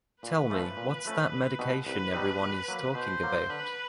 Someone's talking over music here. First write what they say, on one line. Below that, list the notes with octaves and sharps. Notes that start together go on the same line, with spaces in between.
Tell me what’s that medication everyone is talking about.
A#2 B4
F3 A3 C#4
A#2
F3 A3 C#4
C2
B2 G3 C4 D#4
C2 B4
B2 G3 C4 D#4
B2
F#3 A#3
B2 C5
F#3 A#3
D3 B4